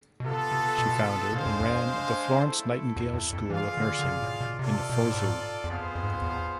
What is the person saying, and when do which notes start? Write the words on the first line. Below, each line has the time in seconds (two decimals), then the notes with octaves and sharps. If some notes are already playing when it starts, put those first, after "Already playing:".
She founded and ran the Florence Nightingale School of Nursing in Fuzhou.
0.20 B2
0.24 C3 B3 F4 A4
0.52 C3
0.78 B2
1.33 B2 G#3 D4 G#4 C5 F5
1.46 F2
1.60 E2
2.42 A3 E4 A4
2.96 E2
3.14 E2
3.33 F2
3.50 E3 F4 G#4 D5 F5
3.77 D3
3.99 D3
4.05 C3
4.22 A2
4.41 B2
4.59 C3 F4 A4 D5
4.90 B2
5.02 A2
5.14 G#2
5.64 E2
5.68 F2 B3 F4 G#4 C5 F5
5.95 F2
6.03 G#2
6.10 F2
6.22 E2